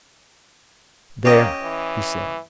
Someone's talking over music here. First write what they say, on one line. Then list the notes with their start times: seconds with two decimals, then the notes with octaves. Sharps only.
"There!" he said.
1.25 A#3 C#4 G4 D#5
1.62 E3